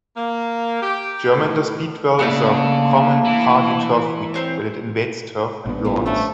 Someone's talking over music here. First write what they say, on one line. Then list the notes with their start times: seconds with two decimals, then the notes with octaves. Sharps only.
Germander Speedwell is a common, hardy turf weed when it invades turf and lawns.
0.16 A#3
0.81 G4
1.31 A2
2.19 C#3 A3 A#3 D4 F#5
3.25 E3
4.34 C4 C5 C#5
5.66 A1 G2 B3
5.85 G1 A#2 A3 E4
6.06 F3 A3 C#4 D4